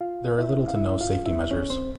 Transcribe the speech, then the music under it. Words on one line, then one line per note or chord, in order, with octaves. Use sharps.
There are little to no safety measures.
F4 F5
E4 E5
F5
E4 E5
F4 F5
E4 E5
C#4 C#5
C4 C5